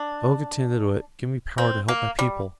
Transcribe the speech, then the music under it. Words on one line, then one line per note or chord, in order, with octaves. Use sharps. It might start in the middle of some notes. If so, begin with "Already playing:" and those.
O Getanittowit, give me power to help my people.
Already playing: D4
C4
A#3
G3